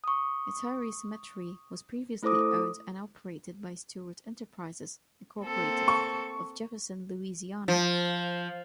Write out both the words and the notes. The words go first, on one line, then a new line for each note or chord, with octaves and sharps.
Metairie Cemetery was previously owned and operated by Stewart Enterprises, Incorporated of Jefferson, Louisiana.
C#6 D#6
A3 E4 A4 C5 D6 D#6
A#3 C4 A4
C#6
F3